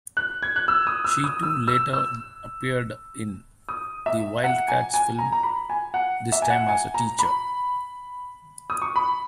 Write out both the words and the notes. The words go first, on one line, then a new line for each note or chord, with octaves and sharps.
She too later appeared in "The Wildcats" film, this time as a teacher.
F#6
G#6
F#6
E6
D#6
E6
D#6
E6
E6
E6
D#6
E5
F#5
G#5
G#5
A#5
A#5
B5
G#5
F#5
E5
G#5
F#5
G#5
A#5
B5
D#6
C#6
B5